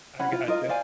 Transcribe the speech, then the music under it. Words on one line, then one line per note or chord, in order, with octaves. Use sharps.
I gotcha.
C#4 F#5 B5
F4
F4 A#4 D#5
C5 D5 F5 G#5